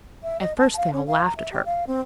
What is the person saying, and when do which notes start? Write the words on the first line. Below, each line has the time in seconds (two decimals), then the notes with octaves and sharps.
At first they all laughed at her.
0.23 E5
0.40 D#5
0.58 A5
0.77 F5
0.92 C#4
1.07 F5
1.24 A#5
1.36 E5
1.51 G4
1.65 F5
1.87 C4